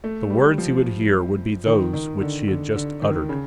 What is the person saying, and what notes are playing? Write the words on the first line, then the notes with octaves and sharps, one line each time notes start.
The words he would hear would be those which she had just uttered.
A3
G3
F3
D#3
D#3
D3
D3
D3
D#3
C#3